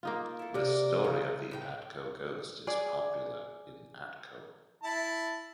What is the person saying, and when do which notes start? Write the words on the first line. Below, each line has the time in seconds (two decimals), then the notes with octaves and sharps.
The story of the Atco Ghost is popular in Atco.
0.03 A#3 D#4 F4
0.39 E4 A4
0.54 C3 A#4 D5
1.04 C#3 A#5
1.51 A2 F#4 G5
2.67 G#4 D5
4.84 E4 A5